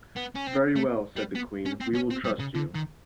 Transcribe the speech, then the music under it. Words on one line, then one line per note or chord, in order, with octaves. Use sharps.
"Very well," said the Queen, "we will trust you".
B3
C#4
C4
A3
G3
B3
C#4
C4
C#4
C4
G3
C#3
D3
D#3